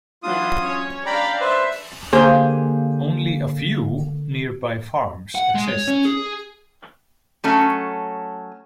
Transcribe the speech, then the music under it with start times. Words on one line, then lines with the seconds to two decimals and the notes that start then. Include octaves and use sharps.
Only a few nearby farms exist.
0.23 E3 F#3 D4 F4 D#6
0.60 C#4 C#5
1.06 D4 D5 F5 G5 A#5 B5
1.41 B4 C5 E5
2.13 D3 A#3 G4 G#4 C5
5.35 F#5
5.55 G#3
5.68 C#5
5.88 C#4
6.05 G#4
7.44 F#3 A3 C#4